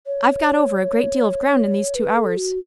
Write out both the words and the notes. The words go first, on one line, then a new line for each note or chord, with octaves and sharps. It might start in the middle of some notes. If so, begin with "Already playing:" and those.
I've got over a great deal of ground in these two hours.
C#5
B4
A4
F#4